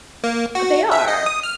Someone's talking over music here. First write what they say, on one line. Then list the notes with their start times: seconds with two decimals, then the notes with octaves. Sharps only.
But they are.
0.24 A#3
0.55 F#4
0.92 E5
1.08 D#5
1.26 D#6
1.43 F6